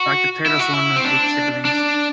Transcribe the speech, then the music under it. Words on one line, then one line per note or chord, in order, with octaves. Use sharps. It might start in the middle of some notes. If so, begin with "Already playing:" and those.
Doctor Taylor was one of eight siblings.
Already playing: F#4
E4
F#4
E4
C4
D4
D4